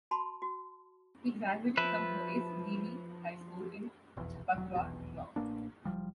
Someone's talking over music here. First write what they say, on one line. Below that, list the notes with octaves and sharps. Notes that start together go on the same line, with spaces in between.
He graduated from Horace Greeley High School in Chappaqua, New York.
F#4 A5 B5 C6
F#4
F3 B4 E5
F1 B1 E2
E1 F#3
F1 B1 E2 B2
A1 A#3 D4
F#1 C2 F3 G3